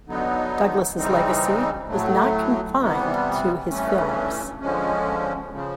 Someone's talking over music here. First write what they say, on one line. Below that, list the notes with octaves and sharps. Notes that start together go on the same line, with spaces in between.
Douglas's legacy was not confined to his films.
D3 F#3 B3 D#4
C#3 E3 G3 C4 D#4
A2 F#3 A3
C3 E3 G3 B3
G2 E3 A3 C#4
D3 F3 G#3 C#4
C#3 F3